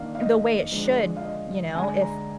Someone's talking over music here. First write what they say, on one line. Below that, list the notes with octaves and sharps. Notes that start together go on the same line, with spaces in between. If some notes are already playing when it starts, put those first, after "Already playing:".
The way it should, you know, if
Already playing: D#3 A#3 D4 D5 F5
F5
D#5
D3 F3 G#3 D4
F5
D#5
D3 G#3 D4 G#5
A#5